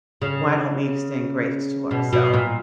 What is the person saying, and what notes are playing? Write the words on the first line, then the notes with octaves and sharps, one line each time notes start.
Why don't we extend grace to ourself?"
C#3
B2
B2
A#2